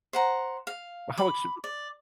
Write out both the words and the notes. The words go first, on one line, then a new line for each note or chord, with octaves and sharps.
How ex
C5 F#5 A#5
F5
B5 D6
D5